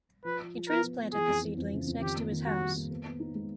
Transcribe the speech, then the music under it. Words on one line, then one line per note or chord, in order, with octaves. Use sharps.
He transplanted the seedlings next to his house.
F3 B4
F3
F3
B3 A#4
F3
B3
E3 G#4
F2
E3
F2
C#3
F2
D#3 G4
A#3
D#3
G3 F#4
G3
A#3
B3
B3
D#4
G#3